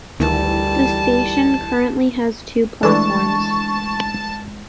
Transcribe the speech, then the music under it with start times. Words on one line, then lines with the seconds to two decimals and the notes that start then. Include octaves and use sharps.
The station currently has two platforms.
0.20 D2 D#3 E3 G3 A5
2.83 E3 G#3 A3 D4 A5 C#6